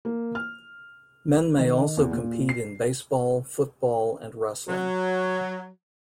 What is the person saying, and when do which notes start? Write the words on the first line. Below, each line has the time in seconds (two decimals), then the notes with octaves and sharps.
Men may also compete in baseball, football, and wrestling.
0.05 A#3
0.35 F6
1.59 D#3
1.97 E2
2.11 A#2
2.49 C7
4.69 F#3